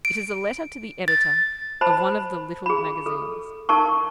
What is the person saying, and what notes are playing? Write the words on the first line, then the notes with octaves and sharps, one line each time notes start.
It is a letter to the editor of one of the "Little Magazines."
D7
A6
C5 A5 B5
G#4 B5
A4
D#4 A#4 A5 C#6